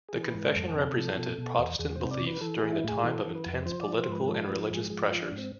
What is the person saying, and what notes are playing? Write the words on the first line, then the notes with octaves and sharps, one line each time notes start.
The confession represented Protestant beliefs during the time of intense political and religious pressures.
E3 G#4
B4
G#2 B4
F2 A4
C3
F3
B2
B2
E2
E2 G#4
C3 C5
D5
E3
B4
E3 A4
E3 G#4
E4
A2 G#4
E3 A4
E3
B4
F2
F3 C5
D5
F3
C5
G#2 B4
F3 A4
F3 B4
G#2 G#4
F3 G#4
F3 F4
D4
G#2
C4